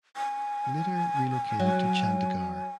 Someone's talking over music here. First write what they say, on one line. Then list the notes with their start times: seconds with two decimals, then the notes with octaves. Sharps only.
Later relocated to Chandigarh.
0.16 G#5
1.60 F#3